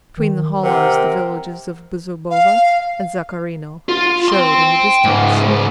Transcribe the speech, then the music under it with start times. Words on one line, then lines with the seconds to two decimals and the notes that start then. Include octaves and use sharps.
Between the hollows the villages of Bezubova and Zakharino showed in the distance.
0.17 D#3
0.64 C3 C4 A#4 F#5
2.30 F5
3.89 F4
4.28 G5 C6
5.04 C#2 G#2